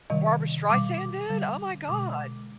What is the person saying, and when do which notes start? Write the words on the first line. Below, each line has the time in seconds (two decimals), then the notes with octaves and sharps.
Barbara Streisand did? Oh, my God.
0.10 C3 D#3 G3 D#5
0.69 B2 G3 D6
1.30 D3 G3
1.89 B2 G#3 D6